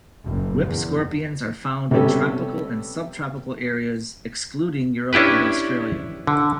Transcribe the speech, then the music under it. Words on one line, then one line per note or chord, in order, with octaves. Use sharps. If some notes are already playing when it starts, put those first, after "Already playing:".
Whip scorpions are found in tropical and subtropical areas excluding Europe and Australia.
F#1
E2
C3 G3 B3 C#4 G4 A4
C#4 D4 E4 G4 B4
D3